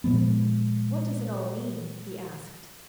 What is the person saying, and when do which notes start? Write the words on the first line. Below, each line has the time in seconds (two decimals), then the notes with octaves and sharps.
"What does it all mean?" he asked.
0.04 A#2 F3 G#3 B3